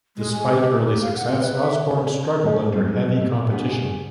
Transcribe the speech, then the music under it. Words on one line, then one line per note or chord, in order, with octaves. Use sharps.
Despite early success, Osborne struggled under heavy competition.
G#3
G#5
G4
A#3
G4
F5
F#5
C4
B4
E5
G#3 C#4
G3 C4 D#4 F4 D5 F5
F#3 F4
A2 A4
B3 C#4 D4 G#4 C5
C#3 G#5